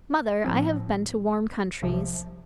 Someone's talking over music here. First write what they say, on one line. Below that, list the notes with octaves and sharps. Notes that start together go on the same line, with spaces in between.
"Mother, I have been to warm countries."
A2 F3 C4
C2 C3 F3